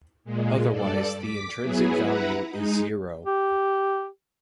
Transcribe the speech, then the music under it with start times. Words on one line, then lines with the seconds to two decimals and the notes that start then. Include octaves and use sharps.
Otherwise the intrinsic value is zero.
0.24 A#2 G#3
0.71 G2 A4 D5
1.18 D6 B6
1.60 F#3 B3 E4 G#4
2.00 E4 B4 F#5 A#5 B5
2.49 G#3 D#4
3.25 G4